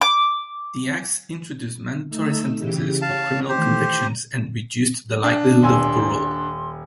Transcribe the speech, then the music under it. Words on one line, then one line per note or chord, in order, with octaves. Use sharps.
The Acts introduced mandatory sentences for criminal convictions, and reduced the likelihood of parole.
D6
A3 D#4 E6
C#3 E3 G4
C#5 F5 A5
D#3 E3 A3 G4 C5
A#5
D4
D#1 G#5 C6 E6